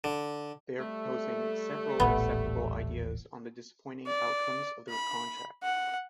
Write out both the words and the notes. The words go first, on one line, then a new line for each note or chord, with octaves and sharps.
They are proposing several acceptable ideas on the disappointing outcomes of the contract.
D3
G3 A3
D#1 A1 B3
D5
B5
F#5